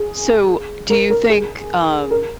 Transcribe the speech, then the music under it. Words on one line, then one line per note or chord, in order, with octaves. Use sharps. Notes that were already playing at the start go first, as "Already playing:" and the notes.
So, do you think, um,
Already playing: G#4
A#4
A#4
G#4
A#4